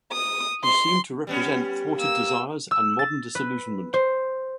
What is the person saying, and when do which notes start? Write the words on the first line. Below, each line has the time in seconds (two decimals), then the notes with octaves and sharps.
He seemed to represent thwarted desires and modern disillusionment.
0.12 D#6
0.64 C6
1.27 G3 B3 C#4
1.97 A#3 E6
2.71 E6
2.99 A6
3.35 B4
3.94 C5